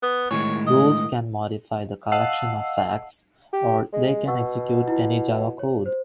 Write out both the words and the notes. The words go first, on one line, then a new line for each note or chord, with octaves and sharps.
Rules can modify the collection of facts, or they can execute any Java code.
B3
A2 D#3 G#3 C#5
D#5
D#5 F5 F#5 A5 E6 C7
G4
G#3
B2 F#5 C#6 E6
E4 F4
C#5
C5